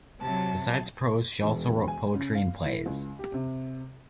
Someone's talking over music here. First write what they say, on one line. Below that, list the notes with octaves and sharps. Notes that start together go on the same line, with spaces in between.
Besides prose she also wrote poetry and plays.
C3 F#3 A5
E1
G#5
C#3
F5
E4
C#2
G4
C3